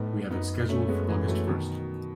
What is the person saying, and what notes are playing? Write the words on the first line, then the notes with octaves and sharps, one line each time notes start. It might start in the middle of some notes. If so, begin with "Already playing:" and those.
We have it scheduled for August first.
Already playing: A2 B3 D#4
F#2 B3 D#4
A3 C#4
G#3 B3
E3 G#3
F#3 A3
B2 D#3